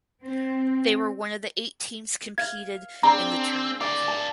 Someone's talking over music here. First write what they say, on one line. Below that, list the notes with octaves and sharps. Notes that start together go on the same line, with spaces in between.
They were one of the eight teams competed in the tournament.
C4
F5 G#6
C4 D4 G#4 A#5
D5 F5 D6
A5